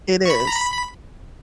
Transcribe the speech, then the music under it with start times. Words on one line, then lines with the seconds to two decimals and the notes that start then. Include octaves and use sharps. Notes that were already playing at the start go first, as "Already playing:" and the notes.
It is.
0.25 C#6
0.30 B5
0.47 A#5
0.56 B5
0.73 B5